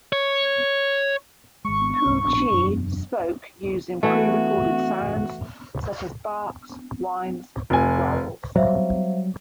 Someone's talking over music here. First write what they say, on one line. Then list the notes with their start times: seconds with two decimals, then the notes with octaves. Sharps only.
Poo-Chi spoke using prerecorded sounds such as barks, whines, and growls.
0.12 C#5
1.65 G#1 G#3 C#6
2.06 C2 G#2
2.24 A#1 D4
2.51 E1 F#2 D4
4.03 E3 A3 F#4
7.70 F1 G#5
8.56 F#3 G3 C5 E5 F5